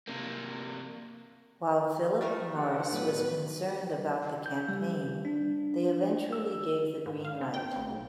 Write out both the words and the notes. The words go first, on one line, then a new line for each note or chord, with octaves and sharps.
While Philip Morris was concerned about the campaign, they eventually gave the green light.
C3 A#3
G3 A3 A#4 F5 A6
D4 A4 F#5
A2 F#3 B3 B4
G6
G3
D4
E6
G#2
F5
C4
G5
A1
B1